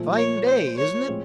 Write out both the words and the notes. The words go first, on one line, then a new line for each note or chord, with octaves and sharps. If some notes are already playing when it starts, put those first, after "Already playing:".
"Fine day, isn't it?"
Already playing: A#2 F3 A3
C#5
C5
C#5
A2 F3 G#3 C4 F4